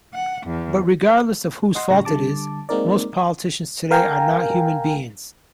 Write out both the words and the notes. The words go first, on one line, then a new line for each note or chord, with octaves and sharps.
But regardless of whose fault it is, most politicians today are not human beings.
F#5
E2
D#5 F#5 C6
A2 C#3 G3 C#6 A#6
D3 G3 A5 D6
G#3 A#3 C4 D#4 A#4 D5
A#4 F5 G5 G#5 A#5